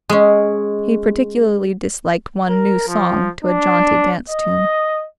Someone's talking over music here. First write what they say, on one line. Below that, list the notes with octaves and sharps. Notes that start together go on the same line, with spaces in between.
He particularly disliked one "new" song to a jaunty dance-tune.
G#3 C#4
A#4
F3
D4
D#5